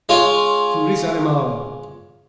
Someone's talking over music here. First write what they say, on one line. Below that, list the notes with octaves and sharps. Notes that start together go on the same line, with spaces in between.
Tu ris, animal?
G#3 F4 C#5